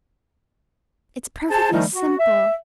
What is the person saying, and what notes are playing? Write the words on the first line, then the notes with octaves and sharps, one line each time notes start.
It's perfectly simple.
G#4 C5 G#5 A5
D#3 F3 G3 A3 D#4
F#4
E5